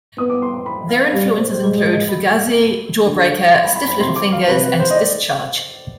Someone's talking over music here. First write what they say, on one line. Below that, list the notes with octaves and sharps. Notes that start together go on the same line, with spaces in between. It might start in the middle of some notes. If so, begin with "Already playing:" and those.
Their influences include Fugazi, Jawbreaker, Stiff Little Fingers and Discharge.
B3 D#6
D6
C6
C6
B5
F5
G3 F5
D5
C5
C5
G#3
D#5
D#5
B5
D3
C6
B5
B5
B5
C3 C6
D6
F5
C3 B4
B4
C5
D#5
D5